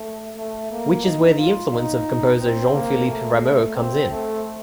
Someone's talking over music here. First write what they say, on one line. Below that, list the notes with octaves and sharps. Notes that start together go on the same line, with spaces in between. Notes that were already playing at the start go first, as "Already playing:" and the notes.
Which is where the influence of the composer Jean-Philippe Rameau comes in.
Already playing: A3
A3
A#3
D#4
F4
D#4
C4
A#3
A3
A3
C4
A3